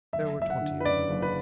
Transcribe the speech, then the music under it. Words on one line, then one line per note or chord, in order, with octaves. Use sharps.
There were twenty of them.
F#1 E5
F#1 E5
F#5
D3
B4
F#2 D5
F#1
B4